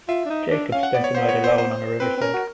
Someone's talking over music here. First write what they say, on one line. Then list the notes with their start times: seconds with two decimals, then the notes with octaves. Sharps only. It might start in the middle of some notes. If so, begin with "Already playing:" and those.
Jacob spent the night alone on a riverside.
0.08 F4 E5
0.25 D4
0.30 D#4
0.51 D4
0.72 C#4 F5
0.83 F#5
0.94 B3 D5
1.04 C#5
1.15 B3 C5
1.29 C#5
1.44 C5
1.58 C5
2.00 C4 B4
2.17 C4
2.22 C#4 A#4
2.33 F#4